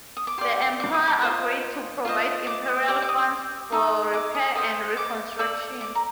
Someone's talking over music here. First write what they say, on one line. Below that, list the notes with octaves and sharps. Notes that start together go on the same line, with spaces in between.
The emperor agreed to provide imperial funds for repair and reconstruction.
D#6
D6
G4 D5 C6
D6
D#6
D6
F4 C5 D#5
F4 C5 D#5
D6
D#6
G4 D5 D6
D6
D#6
D#4 A4 D#5
D6
D#6
A4 C5 D#5 D#6
D6
A4 D5
D6
A#5